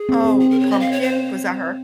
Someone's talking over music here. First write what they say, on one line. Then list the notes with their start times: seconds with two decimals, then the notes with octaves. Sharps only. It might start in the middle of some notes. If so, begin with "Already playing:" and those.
Oh, Pumpkin? Was that her?
Already playing: G#4
0.09 C4
0.25 C4
0.40 G#4
0.51 A#4
0.60 C#5
0.71 D#5
0.80 F5
0.92 C#5
1.02 C5